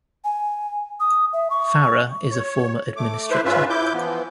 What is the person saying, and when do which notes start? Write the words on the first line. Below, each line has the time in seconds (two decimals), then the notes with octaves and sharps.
Farrah is a former administrator.
0.24 G#5
1.00 D#6
1.33 E5
1.50 C#6
2.31 C#5
2.96 A3 D6
3.30 E4 B4 C5 E5
3.45 G#2 C#4 F4 B4 E5
3.70 E4 D6 G6
3.94 E3 F3 B3